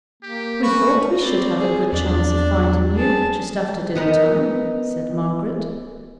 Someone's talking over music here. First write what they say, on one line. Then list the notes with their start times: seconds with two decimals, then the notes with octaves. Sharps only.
'We thought we should have a good chance of finding you, just after dinner-time,' said Margaret.
0.23 A#3 G4
0.63 A#3 C#4 F#4 B4 C#6
1.21 C4 D5
1.58 G#4
1.92 E2 D4 D5
2.96 G#4 A5
3.95 B3 D#4 A#4